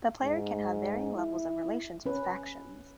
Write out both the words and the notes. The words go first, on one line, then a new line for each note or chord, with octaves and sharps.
The player can have varying levels of relations with factions.
G#2
E4
C#4 B4